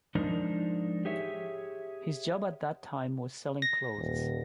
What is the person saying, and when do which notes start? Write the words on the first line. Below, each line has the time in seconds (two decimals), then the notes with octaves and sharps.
His job at that time was selling clothes.
0.15 F3 G#3 D4 D#4 A#4 C5
1.05 G4 G#4 C#5 E5
3.62 A#6
3.97 D#1